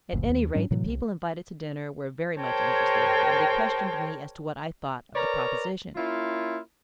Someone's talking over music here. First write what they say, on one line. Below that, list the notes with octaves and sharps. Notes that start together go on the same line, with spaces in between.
At any rate the people invited to dinner were very much interested, and they questioned me as to what I thought of the proposition.
F#1 D2 A#2
D#2
G#2 F#3 C#4 D4
A2 C3 E3 F#3
C2
G#4 A#4 C5 C#5 G5 A5
A#4 B4 C#5 D5 A#5
A#3 C#4 E4 F4